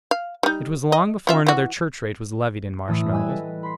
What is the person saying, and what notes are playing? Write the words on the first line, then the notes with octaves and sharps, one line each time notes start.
It was long before another church-rate was levied in Marshmallows.
F5
G3 D#4
D#5
C#4 F4 E5
E3 F#4
A2 E3 A3 D#6 E6
G3 E4 G#5 E6 F#6 G#6
A4 B4 D#5
B5 C6 B6 C7